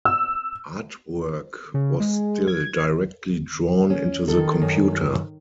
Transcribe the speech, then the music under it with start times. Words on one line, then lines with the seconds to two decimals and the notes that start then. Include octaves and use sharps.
Artwork was still directly drawn into the computer.
0.05 E6
1.74 C#3
2.00 G#3
2.48 G#6
3.90 C#4
4.28 D#3 A4
4.62 F#2